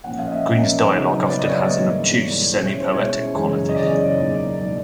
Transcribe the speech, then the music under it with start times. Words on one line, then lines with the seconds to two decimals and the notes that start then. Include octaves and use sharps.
Green's dialog often has an obtuse, semi-poetic quality.
0.04 A#2 F3 A#3 C#4 F#5
0.19 F5
0.27 D#5
0.32 E5
0.45 A#2 F3 A#3 C#4
0.87 C#3 F#3 B3 D#4
1.28 C#3 F#3 B3 D#4 D5
1.39 D#5
1.49 C#5
1.59 C#5
1.70 G#2 E3 G3 A#3
2.11 G#2 E3 G3 A#3 D5
2.52 B2 G#3 C#4 E4 C5
2.66 C#5
2.80 C5
2.93 B2 G#3 C#4 E4 C#5
3.35 F#2 C#3 E3 G#3 C#4
3.69 D#5
3.76 F#2 C#3 E3 G#3 C#4 D5
4.17 E2 B2 F#3 A#3 D#4
4.58 B2 F#3 A#3 D#4 D5